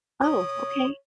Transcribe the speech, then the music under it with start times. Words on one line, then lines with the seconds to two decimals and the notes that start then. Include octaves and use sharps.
Oh, okay.
0.22 C#5 D#6